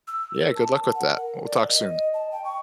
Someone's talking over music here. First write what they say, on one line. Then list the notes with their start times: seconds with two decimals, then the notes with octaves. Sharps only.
Yeah. Good luck with that. We'll talk soon.
0.07 E6
0.34 A#4
0.55 A5
0.95 F#5
1.17 A#4
1.45 D5
1.68 D#5
2.14 A5
2.31 G5
2.45 C#6